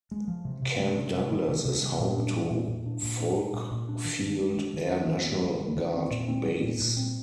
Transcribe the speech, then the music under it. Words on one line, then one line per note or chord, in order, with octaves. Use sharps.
Camp Douglas is home to Volk Field Air National Guard Base.
G#3
F3
C3
C3
G#3
C3
G3
D#3
C3
C3
G3
A#2
D4
G3
A#2
A#2
D4
A#2
D4
G3
A#2
A#2
D4
D#3
D4
G#3
D#3
D#3
D4
D#3
C4
G3
D#3
D#3
C4
A#2
C4
G3
A#2
A#2
C4